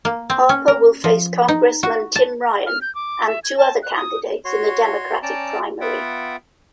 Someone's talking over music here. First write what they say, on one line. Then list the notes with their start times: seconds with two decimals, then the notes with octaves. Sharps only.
Harper will face Congressman Tim Ryan and two other candidates in the Democratic primary.
0.05 A#3
0.30 C4
0.49 C#4
0.68 A#4
1.04 F3
1.48 D#4
1.83 F#4
2.16 A5
2.66 F6
2.82 G6
2.95 D6
3.26 E5
3.44 G#6
3.57 A5
3.83 F#6
3.95 D#6
4.45 F#4 C#5 C6
5.23 C#4 D5 G5 A5 A#5
5.81 B3 F4 E5 F#5 G5